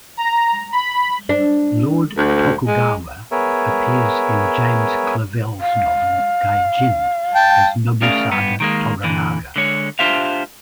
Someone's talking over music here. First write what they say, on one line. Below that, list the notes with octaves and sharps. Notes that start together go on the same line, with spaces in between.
Lord Tokugawa appears in James Clavell's novel "Gai-Jin" as Nobusada Toranaga.
A#5
B5
D4
D2
G#3
B3 G#4 A#4 C#5 E5
F5
G5 A5
A3 C#4 G#4 A#4 D5 F5
G2 B3
D#3 G#3 A#3
A#2 D3 E3
D3 G#3 C#5
D4 F4 G4 C5 E5 F5